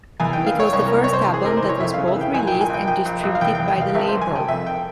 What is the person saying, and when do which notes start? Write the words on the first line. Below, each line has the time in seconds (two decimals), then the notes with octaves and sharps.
It was the first album that was both released and distributed by the label.
0.20 E2 G#5
0.33 E3 G5
0.46 F5
0.55 E3 C#5
0.73 C2 C#5
0.87 C2 A#4
1.04 C#5
1.09 C2 C5
1.27 E3
1.34 G#4
1.45 C3 A#4
1.57 C5
1.62 E3
1.69 C#5
1.80 F2 E5
1.94 C#3 F5
2.08 E5
2.16 E3 G5
2.34 A#1 G#5
2.47 A#2 G5
2.61 G#5
2.70 A#1 G5
2.88 A#1 G5
3.05 A#1
3.23 A#1
3.35 F5
3.41 E2 G5
3.55 G5
3.59 E2
3.68 G5
3.77 E2 F5
3.95 G#1 E5
4.09 G2 C5
4.22 G#5
4.31 G#1 G5
4.48 F2 E5
4.67 G5